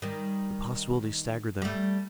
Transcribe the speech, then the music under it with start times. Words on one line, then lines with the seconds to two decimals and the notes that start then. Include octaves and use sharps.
The possibility staggered them.
0.02 D#3 G3
1.62 G3 A3